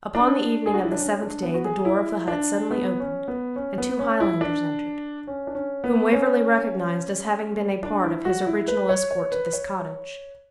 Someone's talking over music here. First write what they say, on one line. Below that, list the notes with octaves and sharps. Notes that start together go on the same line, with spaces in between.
Upon the evening of the seventh day the door of the hut suddenly opened, and two Highlanders entered, whom Waverley recognised as having been a part of his original escort to this cottage.
D4
G#4
F#4
E4
D4
C#4
D4
B3
F#4
G#4
E4
D4
B3
C#4
B3
C#4
B3
C#4
E4
D4
C#4
D4
C#4
B3
C#4
D4
E4
F#4
E4
B4
C#5
C#5
B4
C#5